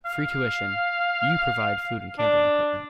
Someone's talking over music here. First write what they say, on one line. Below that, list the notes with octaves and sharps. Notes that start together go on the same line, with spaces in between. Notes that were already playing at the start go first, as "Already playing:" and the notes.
Free tuition --- you provide food and camping equipment.
F5
D4